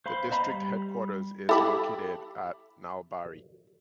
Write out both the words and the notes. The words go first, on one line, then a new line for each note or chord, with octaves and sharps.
The district headquarters is located at Nalbari.
C5 F5 B5 C6
B3 C5 D#5 A#5 B5
G3
E4 G4 A4 E5 B5